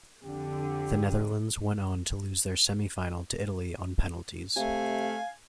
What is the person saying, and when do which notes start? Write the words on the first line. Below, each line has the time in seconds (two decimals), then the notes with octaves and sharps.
The Netherlands went on to lose their semi-final to Italy on penalties.
0.23 F2 D3 G4
4.56 C3 A3 F5 G#5